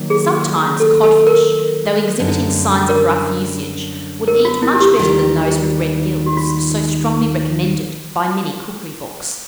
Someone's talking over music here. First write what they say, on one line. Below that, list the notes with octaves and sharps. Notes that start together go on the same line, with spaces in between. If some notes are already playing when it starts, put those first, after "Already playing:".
Sometimes, codfish, though exhibiting signs of rough usage, will eat much better than those with red gills, so strongly recommended by many cookery-books.
Already playing: D#3 F#3 A#3
G#4
A4
A4
A#4
F#2 D3 G3
A#4
A#4
F4
E4
F#4
G4
D#2 D#3 G3 F#4
F#4
F4